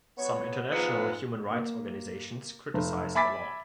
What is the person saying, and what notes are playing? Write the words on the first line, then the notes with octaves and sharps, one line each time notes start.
Some international human rights' organisations criticised the law.
F#3 B3 C#5
G#2 F3 B3 G#4 F#5
A#3
F1
E5 G#5 B5 D6 A6 B6